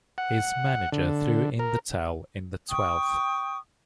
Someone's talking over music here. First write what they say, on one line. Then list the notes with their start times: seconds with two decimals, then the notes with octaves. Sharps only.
His manager threw in the towel in the twelfth.
0.18 F#5
0.92 D3
1.59 A#4
2.69 G5 C#6 D#6